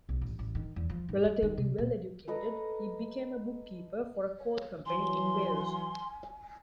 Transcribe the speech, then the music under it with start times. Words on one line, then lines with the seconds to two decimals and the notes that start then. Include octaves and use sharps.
Relatively well-educated, he became a bookkeeper for a coal company in Wales.
0.09 B1
0.21 A1
0.39 A1
0.55 D#3
0.76 E2
0.90 F3
1.09 G#2
1.25 G3
1.42 D#3
1.57 C3
1.78 A#2
2.28 A4 B4 D#5 A#5
4.37 C#5
4.86 E3 F#3 G#5 C6